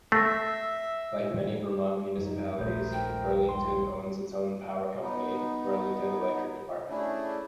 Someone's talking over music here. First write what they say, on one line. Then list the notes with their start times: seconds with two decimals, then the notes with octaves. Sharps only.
Like many Vermont municipalities, Burlington owns its own power company, Burlington Electric Department.
0.12 A3 E5 E6 A#6 C7
2.18 F#2 F#3 D#4
2.58 D#1 A#1 A3 A#4 C5
2.93 G5
3.49 C6
5.01 B3 D#4
6.90 A3 C#4 D4 E4 G#4